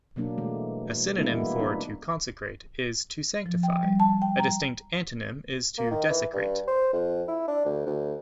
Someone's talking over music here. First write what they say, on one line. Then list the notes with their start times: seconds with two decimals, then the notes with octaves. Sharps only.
A synonym for to consecrate is to sanctify; a distinct antonym is to desecrate.
0.16 B2 F#3 A#3 D4
0.38 B2 E3 G#3 A3
1.16 G3 G#3 A#3 B3 D4 E4
1.31 E3 A#3 B3 E4 F#4
1.59 D4 D#4
3.46 F3
3.63 G5
3.83 G3
4.00 A5
4.22 G5
4.39 A#5
5.78 A#3
5.91 D#3
6.09 E3
6.33 G2
6.68 C5
6.93 F2
7.28 E4
7.48 D4
7.65 D2
7.86 D2